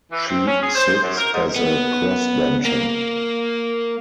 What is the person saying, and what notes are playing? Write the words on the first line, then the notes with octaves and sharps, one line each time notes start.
She sits as a Crossbencher.
E3
C4
C#4
G#4
C5
F#2
A#4
G#2
B3
A#3